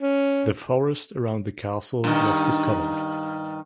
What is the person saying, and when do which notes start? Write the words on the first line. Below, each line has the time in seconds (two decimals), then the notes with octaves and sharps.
The forest around the castle was discovered.
0.02 C#4
2.04 G2 D#3